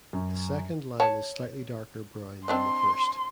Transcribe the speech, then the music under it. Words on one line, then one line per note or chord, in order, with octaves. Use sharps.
The second line is slightly darker brown than the first.
F#2
C#5 A5
C4 D4 D#5 C6